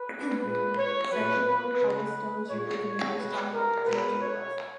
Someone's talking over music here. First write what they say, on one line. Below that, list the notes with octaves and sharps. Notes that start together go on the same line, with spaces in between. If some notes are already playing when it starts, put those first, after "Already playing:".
Centerville's cobblestone street was a major stop along the trail to the West.
Already playing: B4
A#2 G#3 B4
C#5
A#2 F#3 B4
B4
C#3 F#3 B4
A#2 G#3 C#5
B2 G#3 B4
A#4
B2 G#3 B4
C#5